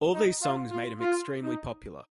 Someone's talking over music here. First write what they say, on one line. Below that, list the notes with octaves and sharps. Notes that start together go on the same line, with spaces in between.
All these songs made him extremely popular.
D#4
F4
F4
F4
D#4